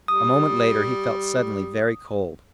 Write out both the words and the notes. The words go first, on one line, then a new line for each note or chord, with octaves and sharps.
A moment later he felt suddenly very cold.
G3 D#6